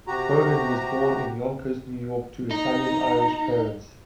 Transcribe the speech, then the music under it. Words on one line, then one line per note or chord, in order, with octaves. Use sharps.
Cronin was born in Yonkers, New York to Italian-Irish parents.
C3 F#4 G4 A#5
D#4 A#5